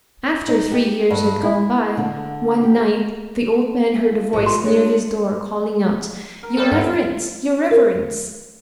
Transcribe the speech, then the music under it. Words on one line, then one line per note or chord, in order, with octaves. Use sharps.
After three years had gone by, one night the old man heard a voice near his door calling out, "Your reverence! your reverence!"
D#4
G4
G2
E4
D3
G4
E5 G#5
E4 F5
A1 G#2 B2 F3 B3 C#7
F4 A4 C6
G#3 D4 C#5
A#4
C3 G3 C#4 A4
G2 B2
A#4